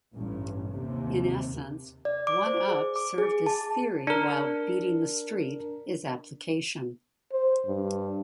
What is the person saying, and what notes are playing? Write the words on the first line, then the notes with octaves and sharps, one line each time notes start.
In essence, "One Up" served as theory while "Beating the Street" is application.
A1 G2
D#2 C3
D5
D6
C5
G#4
D6
G#4
A5
D4 A#4
C5
G2